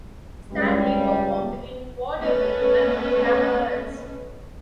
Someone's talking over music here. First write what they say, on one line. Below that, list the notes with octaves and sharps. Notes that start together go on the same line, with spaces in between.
Stanley performed in vaudeville and cabarets.
C#2 G3
A3 B3 C#4 A4 B4 D#5